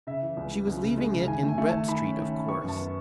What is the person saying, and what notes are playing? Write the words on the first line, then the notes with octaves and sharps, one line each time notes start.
She was leaving it in Brett Street, of course.
C#3 E5
E3
C#2
E3
C#2
C#3
G#3
C#3
D#3 G#5
A3
G#5
A3
D#3 A5
D#3 B5
C#4
D#3
C#4
B3 C#6
F#2 A5
B3